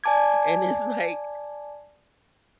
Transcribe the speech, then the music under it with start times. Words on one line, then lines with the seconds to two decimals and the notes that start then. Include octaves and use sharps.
and it's like,
0.04 D5 G#5 A5 D6 G#6